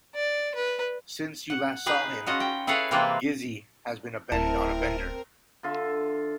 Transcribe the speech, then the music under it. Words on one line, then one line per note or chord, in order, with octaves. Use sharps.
Since you last saw him, Gussie has been on a bender.
D5
B4
F#5
D#4 G#4 B4 F5
C#4 F4 F#4 D#5
G5
E4 G#4 A4 B4 C#5 F5
C3 E3 A#3 C4 F4 B4
D1 C4 E4 A#4 A5
D3 F4 E5